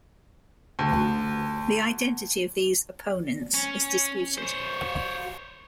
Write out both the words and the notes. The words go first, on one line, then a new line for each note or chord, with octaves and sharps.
The identity of these "opponents" is disputed.
D2
C#4
C5 C#5